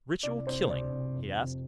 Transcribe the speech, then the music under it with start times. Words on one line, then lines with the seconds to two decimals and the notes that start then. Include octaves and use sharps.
"Ritual killing?" he asked.
0.23 C2 D5
0.47 C3 C5
0.69 C3 D5
0.92 C2
1.16 F2
1.38 C3